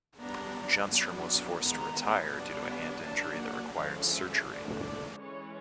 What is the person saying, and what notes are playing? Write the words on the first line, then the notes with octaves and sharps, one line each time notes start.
Junstrom was forced to retire due to a hand injury, that required surgery.
G3 B3 D4 A#5
F#3 B3 D4
D#3 G#3 B3 A#5
G3 B3 D4
F#3 A#3 D4 A5
F#5
D3 F3 G#3 C#4 F5
E5
D3 F3 A3 D4
D5
E3 G#3 C#4 C#5